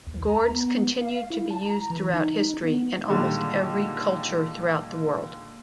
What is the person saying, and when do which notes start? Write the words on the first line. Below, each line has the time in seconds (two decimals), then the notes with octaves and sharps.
Gourds continued to be used throughout history, in almost every culture throughout the world.
0.07 D#2
0.28 A#5
0.48 B3
1.00 F5
1.30 E4
1.50 A5
1.65 A#5
1.90 E3
2.14 D#4
2.63 B3
3.08 A#2 D3 D#3 G3 G#3